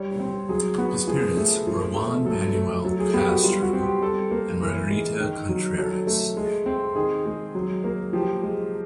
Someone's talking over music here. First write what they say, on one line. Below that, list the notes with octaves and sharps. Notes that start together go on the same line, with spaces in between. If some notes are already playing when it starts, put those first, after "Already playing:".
His parents were Juan Manuel Castro and Margarita Contreras.
Already playing: G3 C#5
C4
F#3 G#4
B3 F#4
F3 G#4
A3
F3
A3
F#3 A4
A3
F#3 A4
G#4
B3 G4
F#4
G3 F4
F#4
C4
G4
G3 A4
A#3
E3 A#4
G#3
D#3
F#3
F#3 A4
A3
G#3
C4
D#3 G#4
G#3
F#3
A#3
F3 G4
G#3